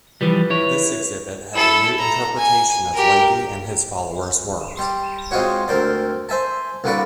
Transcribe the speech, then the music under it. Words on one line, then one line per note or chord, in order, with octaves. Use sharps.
This exhibit had a new interpretation of Lavie and his followers work.
E3 F3 G3 B4
E4 C#5
E4 A4
A#5
G#5
G4 A#4
G3 C6
G#3 C4 D#4 F4 F#4 C#5
D2 C4 A#4 C5 D5
C5 E5 G#5 A5
C2 D3 A#3 F#4 B4 D5